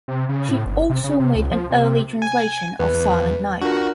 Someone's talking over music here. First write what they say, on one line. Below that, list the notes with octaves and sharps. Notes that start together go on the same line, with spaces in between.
She also made an early translation of Silent Night.
C3
C#3
A2
G1
C3
C#3
C3
C#2
F3
C3
G#5
E2 B4
D4 F4 F#4 A#4